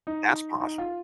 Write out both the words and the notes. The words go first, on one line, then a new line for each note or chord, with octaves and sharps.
That's possible.
D#4
D#4
F4